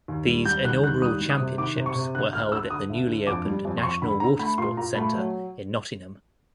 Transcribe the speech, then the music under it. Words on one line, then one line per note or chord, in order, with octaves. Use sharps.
These inaugural Championships were held at the newly opened National Watersports Centre in Nottingham.
D#2
G3
G3 G6
D#2 F#6
D#3 F#6
G3 D#6
G3
D#6
C3
D#3 D6
C3
C#6
C3
D3 F#6
D2 F6
D3 E6
D3 D#6
D2
D3
F2 D6
G3
F2
C6
F2 C#6
D3 B5
D3 A#5
A3 B5
A#2 C6
A#2 A#5
A3 B5
F#3